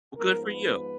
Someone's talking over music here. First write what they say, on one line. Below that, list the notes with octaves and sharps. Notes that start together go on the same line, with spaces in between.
Well, good for you.
G#2 F3 B3 A#4
B4